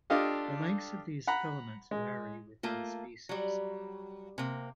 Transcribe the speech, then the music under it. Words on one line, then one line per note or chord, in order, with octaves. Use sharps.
The lengths of these filaments vary within species.
D4 F4 G4 A4 D#5 F5
F#5 A#5 B5
G#3
A3 A#3 F4
F#3 G3
C3 A#3